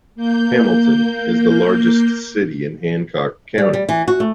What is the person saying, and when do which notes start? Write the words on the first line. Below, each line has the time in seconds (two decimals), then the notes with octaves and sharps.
Hamilton is the largest city in Hancock County.
0.15 A#3 G6
3.58 G3
3.73 G3
3.89 E3
4.08 F#4
4.20 A3